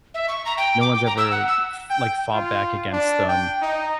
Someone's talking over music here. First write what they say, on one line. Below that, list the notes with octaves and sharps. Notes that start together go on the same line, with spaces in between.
no one's ever f like, fought back against them,
E5
C#6
A#5
G5
D6
G5
A#5
E6
F#5
E6
G5
F4
D4
G5
D#4